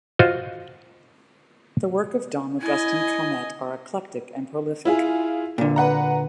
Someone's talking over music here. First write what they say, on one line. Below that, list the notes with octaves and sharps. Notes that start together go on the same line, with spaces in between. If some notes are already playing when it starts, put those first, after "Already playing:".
The work of Dom Augustin Calmet are eclectic and prolific.
F4 F#4 C5 D#5
E4 D#5 G#5
E4 F4 G#4
A#2 D3
B4 F#5 A#5